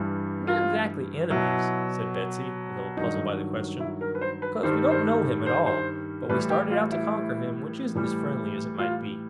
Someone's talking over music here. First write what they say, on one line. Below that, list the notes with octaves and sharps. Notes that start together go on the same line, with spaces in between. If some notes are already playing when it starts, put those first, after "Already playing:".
"Not exac'ly enemies," said Betsy, a little puzzled by the question, "'cause we don't know him at all; but we started out to conquer him, which isn't as friendly as it might be."
Already playing: G2 E3 G3
F4
B2 F#3 E4
G2 D#3 F#3 D#4
E4
A#4
B4
C5
B4
G2 D#3 G3 C5
C5
C5
C5
A2 E3 G3 B4
G4
F4
E4
A2 E3 G3
F4